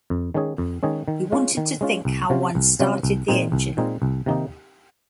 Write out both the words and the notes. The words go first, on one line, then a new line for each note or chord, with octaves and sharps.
He wanted to think how one started the engine.
F2
D#3 G#3 C#4 G#4
F2
D#3 G#3 C#4 G#4
D#3
G#3 C#4 F4
D#3
G#3 C#4 F4
C2
C3 F#3 C#4 F4
C2
C3 F#3 C#4 F4
C2
A#2 G#3 C4 D#4
C2
A#2 G#3 C4 D#4
C2
C3 D#3 A#3 D#4